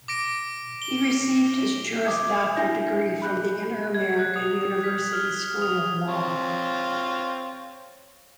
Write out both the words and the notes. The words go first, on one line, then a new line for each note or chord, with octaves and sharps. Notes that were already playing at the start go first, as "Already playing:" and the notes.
He received his Juris Doctor degree from the Interamerican University School of Law.
D6 A#6 D7
G7
E5 D6 D#6 G#6
D4 E4 E5 G#5 G6 A#6
B5 F#6 G6
G#6
F#6
D#6
B6
F6
D#6
C4 F4 C#5